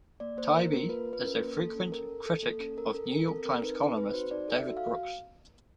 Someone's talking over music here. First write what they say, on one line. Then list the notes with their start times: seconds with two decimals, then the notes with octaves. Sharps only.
Taibbi is a frequent critic of "New York Times" columnist David Brooks.
0.20 A#3 D5
0.37 A#3 C5
0.54 A#3 A#4
0.71 A#3 A#4
0.89 F4 B4
1.05 F4
1.13 B4
1.22 C#4 A#4
1.40 A#3
1.57 A#3 A4
1.75 C#4
1.91 A4 A#4
2.09 A4
2.26 A4
2.43 A#3 A4
2.59 C#4 A4
2.77 A4 A#4
2.94 A4
3.12 A4 A#4
3.28 C4 A4
3.45 C4 A#4
3.62 D#4 B4
3.80 D#4
3.97 C4 B4
4.14 F#4 C5
4.31 D#4 D5
4.48 A4
4.55 E5
4.66 F#4
4.77 F5